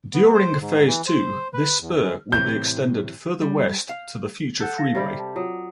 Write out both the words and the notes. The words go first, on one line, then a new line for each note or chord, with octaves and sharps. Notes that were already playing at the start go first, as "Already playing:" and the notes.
During Phase Two, this spur will be extended further west to the future freeway.
B3
C5
G#2
E3
C5
B4
E2
F#2
A2 C3 E3 G6
G3
F5
A4 F#5 F#6 G6
F5 A6 A#6
C3 G3 G4
A5
F#3 F4 D#6